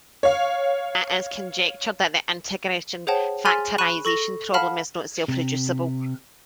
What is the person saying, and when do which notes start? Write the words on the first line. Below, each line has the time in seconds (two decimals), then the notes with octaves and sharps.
It is conjectured that the integer factorization problem is not self-reducible.
0.23 C#5 F5
3.07 G#4 C5 C#5 F#5 G5 A5
3.45 G#4 G#5 C6 F6 A6 B6
3.78 B5 C#6 F#6 D#7 E7
4.05 A4 C#6 A#6 F#7
4.54 F5 F#5 A5 B5 F6 B6
5.28 C3